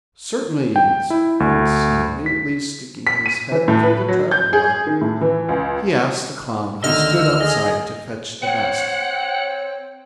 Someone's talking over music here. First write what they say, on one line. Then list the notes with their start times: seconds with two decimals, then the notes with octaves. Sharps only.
"Certainly!" answered the Prince, and immediately sticking his head through the trapdoor, he asked a Clown who stood outside to fetch the basket.
0.76 G5
1.10 E4
1.40 D2
2.26 B6
3.07 B6
3.26 D#7
3.52 E3
3.68 A2
3.83 B4
4.08 F#3
4.31 G6
4.53 G#4
4.87 D#3
5.01 A2
5.21 E3
5.49 C#2
6.84 D2 D3 D#3 D#5 E6 F6
7.41 G#4 D#5
8.42 C4 C#5 F#5 G5